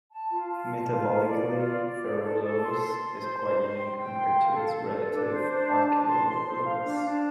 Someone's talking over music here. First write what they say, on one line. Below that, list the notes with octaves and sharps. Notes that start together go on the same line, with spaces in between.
Metabolically, "Ferroglobus" is quite unique compared to its relative "Archaeoglobus".
A5
F4
F4
A5
F4
F4
D5
F4
D5
D5
A4
A4
A4
C6
C6
C6
C5
C6
C6
G5
G5
C6
F5
A4
A4
A4
D4
C5
D4
A5
A5
C6
C6
C5
F5
D4
D4